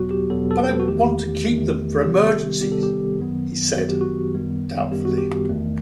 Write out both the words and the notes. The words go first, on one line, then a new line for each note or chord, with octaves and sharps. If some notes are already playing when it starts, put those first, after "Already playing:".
"But I want to keep them for emergencies" he said, doubtfully.
Already playing: E2 B2 F#3 B3 F#4
G4
E2 B2 F#3 B3 A4
A4
B4
F#4
E2 D#3 A3 G4
E2 D#3 A3
C3 D#3 G3 B3 G4
C3 D#3 G3 B3 G4
A4
G4
F#2 D#3 F#3 B3
F#2 D#3 F#3 B3 F#4
G4
F#4
F#2 D#3 G3 B3
F#2 D#3 G3 B3 G4
F#4
G4
E2 D#3 A3